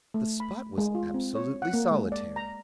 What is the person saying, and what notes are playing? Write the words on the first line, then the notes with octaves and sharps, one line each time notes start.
The spot was absolutely solitary.
A3
B5
G#3
F4
C4
C#5
F#5
A#3
G#3
D5
A#5